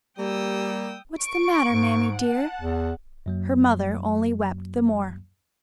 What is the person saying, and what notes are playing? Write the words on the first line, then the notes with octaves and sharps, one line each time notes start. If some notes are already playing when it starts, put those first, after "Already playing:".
What's the matter, mammie dear?' her mother only wept the more.
G3 A#3 G4 G5 D#6 E6
C#6 D7
G#2
F#5 A5
E2
F#2 F#3 A#3